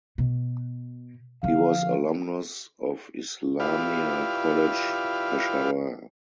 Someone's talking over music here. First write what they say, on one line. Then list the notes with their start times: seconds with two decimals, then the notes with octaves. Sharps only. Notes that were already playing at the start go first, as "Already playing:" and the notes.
He was alumnus of Islamia College Peshawar.
0.18 B2
1.43 D3 F3 F5
3.60 E4 F4 G4 B4 D5 F5